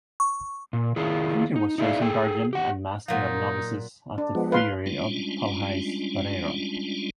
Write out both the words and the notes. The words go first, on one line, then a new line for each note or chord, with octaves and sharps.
Peter was chosen guardian and Master of novices at the friary of Palhais, Barreiro.
C#6
A#2
D#3 E4 F4 G#4
D#4
D#4 E4 G#4 D5 F5
G#4 A4 G5
G4 F#5
A#2 F#3 D#4 F5 F#5
D4
F3 G#3 B3
B4 F5 C6
G3 G#3 C#4 D4 F4